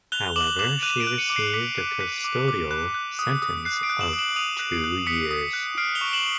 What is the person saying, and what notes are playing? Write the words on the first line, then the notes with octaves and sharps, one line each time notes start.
However she received a custodial sentence of two years.
F#6 F7 G7
D6 E7 F#7
D6 E7 F#7
F#6 D#7 F7
D7 E7
F#6
C#7 D#7
D6
C7 D7
D6 B6 C#7
F#6 C7
F#6 B6
D6
D6
F#6
F#6
D#6
D#6
F#6 C7
C7 D7
F#6
E7 F#7
D#6
E7 F#7
D#6 D#7 F7
F#6
C7
F#6
D#6 B6 C#7
D#6
F#6
F6 C7 D7
F7 G7
C#6
E7 F#7